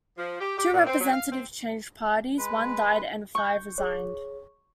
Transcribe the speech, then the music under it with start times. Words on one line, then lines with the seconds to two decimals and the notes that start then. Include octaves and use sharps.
Two representatives changed parties, one died, and five resigned.
0.18 F3
0.40 G4
0.57 G4
0.73 A#2
0.86 C4
1.00 F#3
1.13 F5
1.32 C4
2.38 G#3 B4
3.35 C#6 G6
3.78 G#4 C#5